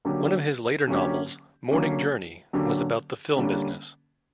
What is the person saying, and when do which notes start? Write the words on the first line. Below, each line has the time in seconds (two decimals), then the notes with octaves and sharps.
One of his later novels, "Morning Journey", was about the film business.
0.05 D3 F#3 A#3 C#4 G4
0.87 D3 F#3 A#3 C#4 G4
1.71 D3 F#3 A#3 C#4 G4
2.53 D3 F#3 A#3 C#4 G4
3.36 D3 G3 A#3 C#4